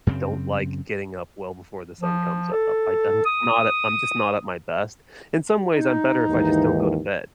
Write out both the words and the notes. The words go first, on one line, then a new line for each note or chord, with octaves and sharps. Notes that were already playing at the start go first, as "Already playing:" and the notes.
Don't like getting up well before the sun comes up. I do I'm not I'm just not at my best. In some ways, I'm better if I just don't go to bed,
F#2 C#3 C4
F3
A4
D#6
D#4
D#2 G#2 E3